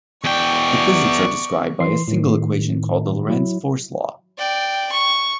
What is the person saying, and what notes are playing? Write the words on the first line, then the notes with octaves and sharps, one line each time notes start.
The physics are described by a single equation called the Lorentz force law.
E2 D5 G5 C#6
E3 C6 C7
A2 D#3
F#3 E4
D5 G5
C#6